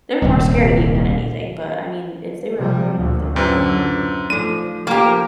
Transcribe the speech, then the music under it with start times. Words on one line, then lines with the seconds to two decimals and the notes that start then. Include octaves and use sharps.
They're more scared of you than anything, but I mean, if they were hungry enough, they probably would.
0.22 D#1 C2
2.55 C3 F3 G3
2.96 D2 A#2
3.36 F#2 A2 D3 F4 B4 C5
4.30 F3 A3 D#4 A4 D#7
4.87 F3 A#3 G4